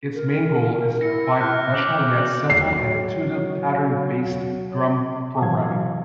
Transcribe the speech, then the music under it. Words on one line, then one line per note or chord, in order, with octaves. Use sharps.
Its main goal is to provide professional yet simple and intuitive pattern-based drum programming.
A#4
E4 A#6 C#7
E5 F6 F#6
C#4 D6 G6 F#7
F#4
F#3 C#5 C7
C3 E3 F#3 F5 G#6